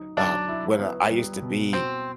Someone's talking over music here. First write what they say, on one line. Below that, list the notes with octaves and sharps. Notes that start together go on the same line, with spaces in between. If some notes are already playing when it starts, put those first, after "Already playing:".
um, when I used to be
Already playing: F#3 D#4
F#3 D4
E4
B3
G3
B2
C4 F#4